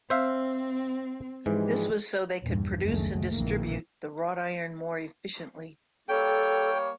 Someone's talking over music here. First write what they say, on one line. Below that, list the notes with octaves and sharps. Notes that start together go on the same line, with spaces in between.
This was so they could produce and distribute the wrought iron more efficiently.
C4 C5 E5 F5
G#2 E3 F3 G3 G#3
A#1 E2 G2
F#1 C#2 D#3 G#3 A3
A#1 F2 D#3 E3 A#3
G3 A#3 A4 C#5 G5